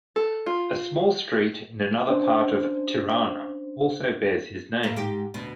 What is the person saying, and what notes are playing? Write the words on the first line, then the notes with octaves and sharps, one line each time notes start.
A small street in another part of Tirana also bears his name.
A4
F4
C#4 D4 C5
A2 A3 A#3
G#2 G4
D2 B2